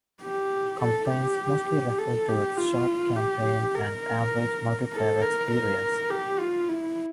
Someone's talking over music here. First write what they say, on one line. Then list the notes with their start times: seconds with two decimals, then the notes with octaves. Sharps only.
Complaints mostly refer to its short campaign and average multiplayer experience.
0.23 G4
0.81 A4
1.10 G4
1.98 A4
2.28 G4
2.57 F4
3.16 G4
3.75 A#4
4.93 A4
5.22 A#4
5.52 A#4
6.10 G4
6.39 F4
6.69 E4